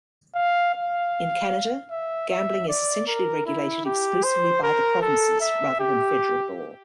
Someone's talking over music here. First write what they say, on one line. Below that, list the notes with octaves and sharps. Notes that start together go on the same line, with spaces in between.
In Canada, gambling is essentially regulated exclusively by the provinces rather than federal law.
F5
F5
E5
E5
D5
A#4
E4
G4
C5
A#4
A4
E5
G4